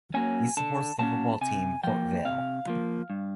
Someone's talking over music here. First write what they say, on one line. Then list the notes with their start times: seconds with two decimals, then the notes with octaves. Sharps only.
He supports the football team Port Vale.
0.14 F#3 A#3 C#4 G#5
0.57 D3 A5
0.99 F#3 A#3 C#4 A5
1.41 C3 G#5
1.84 F3 A#3 G5
2.25 C3 F5
2.67 F3 A#3
3.10 G2